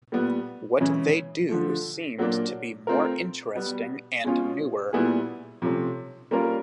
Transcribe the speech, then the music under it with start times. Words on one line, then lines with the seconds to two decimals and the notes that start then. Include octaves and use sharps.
What they do seems to be more interesting and newer.
0.12 A#2 G3 B3
0.80 C#3 E3 G#3 C#4 E4
1.49 D3 F3 A3
2.19 A#2 F#3 A#3 D4
2.87 A3 C4 F4 A#4
3.55 B2 G3 B3
4.24 B2 G#3 C#4 F4
4.93 A#2 G3 B3 E4 G#4
5.62 C3 F3 A3 C#4
6.31 G3 A#3 C#4 F4 A#4